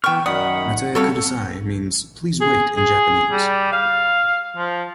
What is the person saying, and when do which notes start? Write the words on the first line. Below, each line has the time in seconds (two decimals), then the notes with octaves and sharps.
"Matte Kudasai" means "please wait" in Japanese.
0.04 E3 B3 G5 C#6 F6
0.26 F#2 D#3 D5 F#5 B5 D#6
0.95 G3 C4 F#4 A4 C#5 F5
2.41 G#4
2.77 G#4
3.32 G3
3.73 F5
4.57 F3